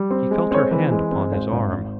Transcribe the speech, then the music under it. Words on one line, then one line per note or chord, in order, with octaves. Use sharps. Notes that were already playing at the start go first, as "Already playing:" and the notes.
He felt her hand upon his arm.
Already playing: G3
C4
G#3
C4 C#5
C5
E3 B4
G#3
C4
G#1 C5
G#1
G#1